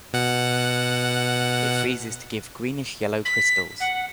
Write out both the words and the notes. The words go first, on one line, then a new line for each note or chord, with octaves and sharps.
It freezes to give greenish-yellow crystals.
B2 F#5
B6
F#5